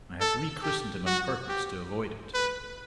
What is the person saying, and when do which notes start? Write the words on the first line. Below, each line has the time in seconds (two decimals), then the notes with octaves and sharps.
I have re-christened him on purpose to avoid it.
0.21 A4
0.63 G4
1.06 F#4
1.49 G4
2.34 B4